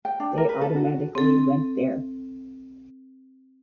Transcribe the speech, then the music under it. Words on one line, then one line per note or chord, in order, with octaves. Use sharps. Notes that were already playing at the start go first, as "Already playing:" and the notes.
They automatically went there.
G5
D4
A#4
B4
A4
F#4
C4 A4